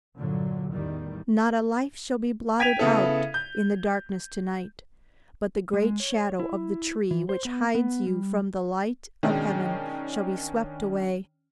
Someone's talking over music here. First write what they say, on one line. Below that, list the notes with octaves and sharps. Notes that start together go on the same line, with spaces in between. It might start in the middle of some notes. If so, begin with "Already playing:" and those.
Not a life shall be blotted out in the darkness tonight; but the great shadow of the tree which hides you from the light of heaven shall be swept away.
G2 A#2 D3 F#3
A1 E2 D#3 G3
G5 G#6 B6 D#7 F7
C#3 B3 E4 A4
G6
G#3
C#5
E4
E3
C5
B3
B3
G3
B2 D#3 G#3 C#4 D4 G5